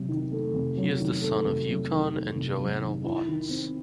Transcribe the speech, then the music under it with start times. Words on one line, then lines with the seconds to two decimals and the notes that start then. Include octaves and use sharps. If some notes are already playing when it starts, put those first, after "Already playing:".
He is the son of Yukon and Joanna Watts.
Already playing: C3 F#3
0.09 D#3
0.32 A3
0.54 C3
0.77 F#3
1.00 D#3
1.22 A3
1.45 C3
1.68 F#3
1.91 D#3
2.13 A3
2.35 C3
2.59 F#3
2.81 D#3
3.04 E4
3.27 D#3
3.49 C4